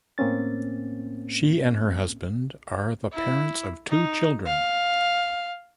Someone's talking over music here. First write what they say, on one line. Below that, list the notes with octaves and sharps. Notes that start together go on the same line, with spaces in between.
She and her husband are the parents to two children.
A2 A#3 C4 C#4 A6
E4
D#4
F5